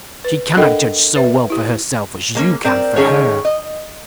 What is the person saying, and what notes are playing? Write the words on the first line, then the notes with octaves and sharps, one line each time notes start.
She cannot judge so well for herself as you can for her.
B4
D4 A4 A#4 D#5 F#5 G5
B4 E5
E4 G4
G#3 A#3 C#4
C4 A#4 D5
D#3 G#3 C#4 G#4 A4 C#5
D#5